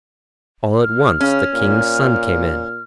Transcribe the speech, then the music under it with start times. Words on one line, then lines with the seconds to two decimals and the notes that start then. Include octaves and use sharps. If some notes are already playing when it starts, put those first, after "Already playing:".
All at once the King's son came in.
0.83 F6
1.21 C#3 C#4
1.53 A#2